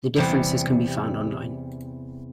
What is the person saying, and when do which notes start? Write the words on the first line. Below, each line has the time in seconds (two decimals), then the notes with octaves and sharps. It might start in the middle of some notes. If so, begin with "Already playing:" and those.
The differences can be found online.
0.16 E2 C3 G3